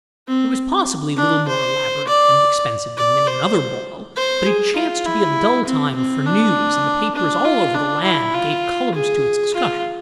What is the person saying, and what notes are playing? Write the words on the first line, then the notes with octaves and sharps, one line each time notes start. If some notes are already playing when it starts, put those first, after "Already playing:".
It was possibly little more elaborate and expensive than many another ball, but it chanced to be a dull time for news and the papers all over the land gave columns to its discussion.
C4
D4
C5
D5
D5
C5
C5
G#4
F4
E4
C4
C4
D4
D4
F4
D4
E4
F4
G#4
F4